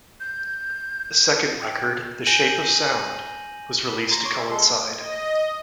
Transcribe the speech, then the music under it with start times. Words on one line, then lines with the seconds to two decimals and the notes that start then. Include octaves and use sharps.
A second record "The Shape of Sound" was released to coincide.
0.20 G6
1.61 G5
2.26 G#5 G6 A#6 D#7 F#7
3.88 B5
4.11 A#5 C6
4.25 C#5 C6 D6
4.36 E5
4.50 G#3 A4 C6
4.97 D#5